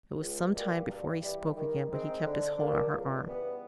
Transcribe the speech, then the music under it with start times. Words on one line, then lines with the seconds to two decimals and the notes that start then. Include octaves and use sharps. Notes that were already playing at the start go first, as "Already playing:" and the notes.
It was some time before he spoke again, but he kept his hold on her arm.
0.19 C#2
0.54 B2 G3 A#3
0.88 G2
1.21 E3 G3
1.55 D#3
1.89 G#3 C4 D#4
2.23 D3
2.57 G3 A#3 D4
2.91 C#2
3.25 C#3 E3 G3 B3